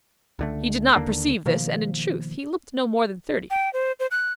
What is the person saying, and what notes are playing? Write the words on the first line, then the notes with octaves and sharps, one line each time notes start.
He did not perceive this, and in truth he looked no more than thirty.
C#2 D3 A3
D#2 D3 A#3 D4
B2 D#3 F3 A#3
G5
C5
C5
F#6